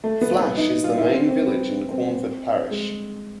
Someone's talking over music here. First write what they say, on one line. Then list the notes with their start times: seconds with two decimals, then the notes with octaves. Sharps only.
Flash is the main village in Quarnford Parish.
0.04 A3
0.21 B3
0.39 B3
0.57 D#4
0.70 D#4
0.84 F4
0.98 E4
1.11 C4
1.29 C4
1.46 B3
1.91 C4
2.71 G#3